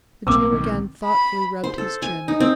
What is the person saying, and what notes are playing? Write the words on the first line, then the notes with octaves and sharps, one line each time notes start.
The Jew again thoughtfully rubbed his chin.
B1 A2 A#3 C4 A#4 D6
D#3
B5
C5
A4
G#5
D#4
C4